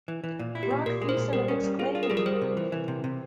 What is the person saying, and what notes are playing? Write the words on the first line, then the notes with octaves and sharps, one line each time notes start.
Brock Thiessen of Exclaim!
E3
E3
A#2
E4
G4
A#2
A#2 A#4
G#3
C5
A#2
G3 A#4
C#4
G3
F4 G#4
F4
A#4
G3 G#4
A#4
G3 C5
C3
E3
E3
C3
C3